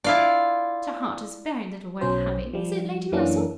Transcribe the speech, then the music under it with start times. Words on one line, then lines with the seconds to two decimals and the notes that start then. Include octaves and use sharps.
Such a heart is very little worth having; is it, Lady Russell?
0.04 E4 F4 D5
2.01 B1 F#3 C#4 C5
2.53 F3 G3
3.12 F#2 E3 A#3 C#4 D4